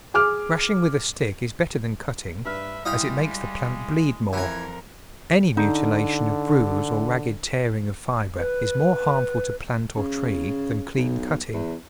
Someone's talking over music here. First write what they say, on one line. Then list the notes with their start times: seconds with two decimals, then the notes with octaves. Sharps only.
Thrashing with a stick is better than cutting, as it makes the plant bleed more; any mutilation of bruise or ragged tearing of fibre is more harmful to plant or tree than clean cutting.
0.14 G#4 D6 F6
2.45 G2 B4 E5 F6
2.85 G3 G#3 E4 D#5 F5 G5
4.33 F2 E3 A#4 G#5
5.57 D3 D#4
8.36 B4
9.97 C#3
10.97 B1
11.54 E2